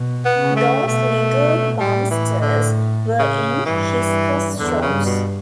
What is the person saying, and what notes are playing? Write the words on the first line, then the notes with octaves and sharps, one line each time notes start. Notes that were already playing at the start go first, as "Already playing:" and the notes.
Those little bumsters were in his first shows.
Already playing: B2
B3
C#3
A3
B2 A3
A2 G3
E3
D3
C#3
G2 E3
E2 D3
C#3
G2
B2